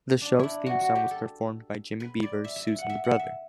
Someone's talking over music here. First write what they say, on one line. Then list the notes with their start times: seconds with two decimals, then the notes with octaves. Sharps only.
The show's theme song was performed by Jimmy Beavers, Susan's brother.
0.21 D4
0.39 D4 E4
0.66 F#4
0.81 F#4
0.95 G4
1.11 A4
2.00 B4
2.23 D5
2.44 E5
2.56 E5
2.67 E5
2.78 F#5
2.89 E5
3.05 F#5
3.19 E5